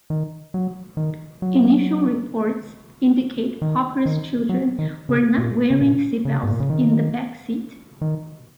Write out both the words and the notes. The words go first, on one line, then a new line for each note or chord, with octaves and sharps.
Initial reports indicate Popper's children were not wearing seatbelts in the backseat.
D#3
F#3
D#3
F#3
D#3
D#3
F#3
D#3
C#3
A#2
C#3
A#2
C#3
G#2
A#2
C#3
D#3
D#3